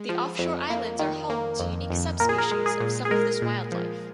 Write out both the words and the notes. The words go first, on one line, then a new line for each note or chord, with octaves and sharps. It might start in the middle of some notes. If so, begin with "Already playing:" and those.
The offshore islands are home to unique subspecies of some of this wildlife.
Already playing: G#3
F3
F2
A#3
D#3
A#3
F2
F2
A#2 A#4
G#4
A#4
G#3
G#4
A#2
G#4
G#3 A#4
A#2
F3